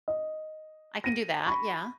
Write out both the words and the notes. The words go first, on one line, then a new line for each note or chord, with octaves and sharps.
I can do that, yeah.
D#5
A#6 D#7
B5 C#6